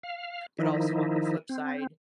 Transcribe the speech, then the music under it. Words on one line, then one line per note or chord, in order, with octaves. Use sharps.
but also, on the flip side,
F5
D#3 F3 D#4 E4
C4